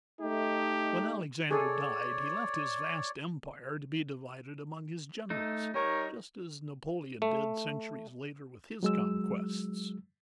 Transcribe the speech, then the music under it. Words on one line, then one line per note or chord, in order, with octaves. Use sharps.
When Alexander died he left his vast empire to be divided among his generals, just as Napoleon did centuries later with his conquests.
A3 D#4 G4
G#4 A4 C#5 D5
A3 D#4
G3 D#4 A#4 C#5
A3
F#3 G#3 E6